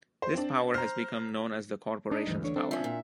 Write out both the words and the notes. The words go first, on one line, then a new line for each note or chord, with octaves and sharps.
This power has become known as "the corporations power".
C5
C4 D4
C5 A#5 F6
D4 D#4
D2 G2 E3
D3 C#5
C4 D4 A4
F3 C#4 E5
A#2